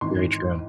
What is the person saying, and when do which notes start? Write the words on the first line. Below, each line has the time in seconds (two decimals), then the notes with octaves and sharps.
very true.
0.01 G#1 G#2 E3 C6